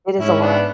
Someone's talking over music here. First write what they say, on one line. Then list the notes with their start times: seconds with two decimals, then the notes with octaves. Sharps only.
It is a lot.
0.18 G#2 C#4 E4
0.41 B3 D4